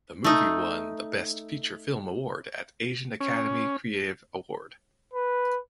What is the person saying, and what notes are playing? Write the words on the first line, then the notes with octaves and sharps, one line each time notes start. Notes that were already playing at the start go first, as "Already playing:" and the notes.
The movie won the Best Feature Film Award at Asian Academy Creative Award.
A3 D#4
C#4
B4